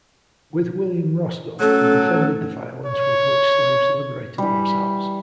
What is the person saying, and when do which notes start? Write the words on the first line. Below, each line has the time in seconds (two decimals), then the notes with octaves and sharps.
With William Roscoe, he defended the violence with which slaves liberated themselves.
1.60 F#3 A3 C#4 A4
2.86 C#5
4.38 E3 G3